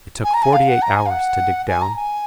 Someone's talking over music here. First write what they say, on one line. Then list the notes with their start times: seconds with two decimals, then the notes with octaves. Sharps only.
It took forty-eight hours to dig down.
0.24 G#5
0.34 A#5
0.43 G#5
0.53 F5
0.68 F#5
0.82 A#5
0.96 G#5
1.06 F5
1.10 F#5
1.68 G#5
1.82 A#5
1.96 G#5